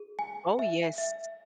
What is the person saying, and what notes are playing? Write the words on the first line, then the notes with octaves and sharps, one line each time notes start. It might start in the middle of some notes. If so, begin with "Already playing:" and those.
Oh, yes.
Already playing: G#4
G#5
E5
E5